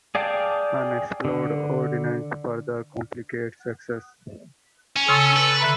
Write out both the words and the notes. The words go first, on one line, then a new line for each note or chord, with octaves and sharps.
Unexploded ordnance further complicates access.
G#4 D5 F5 G5 A5
D3
C#4
C#3 A4 C6 C#6
B4
D3 E5 A#5 B5